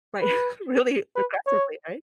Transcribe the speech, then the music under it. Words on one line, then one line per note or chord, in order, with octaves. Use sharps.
right, really aggressively, right?
B4
B4
C#5